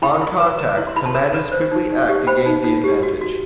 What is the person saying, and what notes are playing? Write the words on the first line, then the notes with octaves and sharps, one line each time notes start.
On contact, commanders quickly act to gain the advantage.
E4 G5 B5
E4
B4
B4
E4
C6
E4 B5
A5 C6
B4
B4
C5
D#4
D#4
G4
C5 G5 B5
D#4
D#4
G4
F#4
F#4